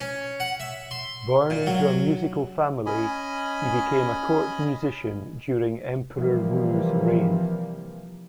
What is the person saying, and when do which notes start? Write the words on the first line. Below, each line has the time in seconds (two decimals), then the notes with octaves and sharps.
Born into a musical family, he became a court musician during Emperor Wu's reign.
0.01 C#4
0.40 F#5
0.60 E5
0.91 C6
1.50 A#2
1.66 F#3
2.86 C#4 D#5 G#5 B5
6.15 C3 E3 F3 G3 A#3